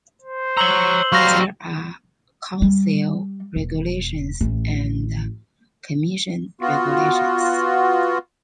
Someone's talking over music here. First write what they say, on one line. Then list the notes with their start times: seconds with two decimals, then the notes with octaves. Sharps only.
There are Council regulations and Commission regulations.
0.22 C5
0.57 C#5 A#5 C#6 E6 F#7 G7
1.12 F#3 G3 F5 C6 C#6 F6 A#6
2.62 G3
3.56 E1
4.41 A1
6.61 B3 F4 F#4